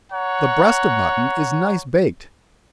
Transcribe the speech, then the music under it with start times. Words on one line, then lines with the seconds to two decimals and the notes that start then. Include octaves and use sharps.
The breast of mutton is nice baked.
0.12 C#5 F#5 A#5